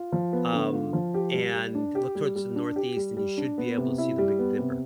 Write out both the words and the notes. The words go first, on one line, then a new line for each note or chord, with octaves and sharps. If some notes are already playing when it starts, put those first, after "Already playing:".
Um, and look towards the Northeast and you should be able to see the Big Dipper.
Already playing: F4
F3
B3
D3
F4
F3
G4
G3
G3
D4
G4
G3
G3
D4
G4
G3
G3
D4
B3
C3
E4
G3
B3
C3